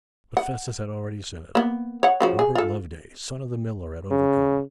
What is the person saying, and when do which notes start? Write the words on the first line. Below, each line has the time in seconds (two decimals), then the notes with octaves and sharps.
But Festus had already said, 'Robert Loveday, son of the miller at Overcombe.
0.37 F#5
1.55 A#3 B3
2.03 C#5 F#5
2.20 C#3 F3 F#4
2.39 G#4
2.55 F4 A4
4.11 C#3